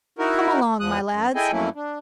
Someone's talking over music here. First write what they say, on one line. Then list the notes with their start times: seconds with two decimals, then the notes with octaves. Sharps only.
Come along, my lads.
0.19 D#4 E4 F#4 A#4
0.80 E2 F3 D#6 F#6
1.11 F#2
1.35 E4 G#4 A4 D#5 G5 G#5
1.52 F2 F#3 A3 A#3 C#4 E4
1.75 D4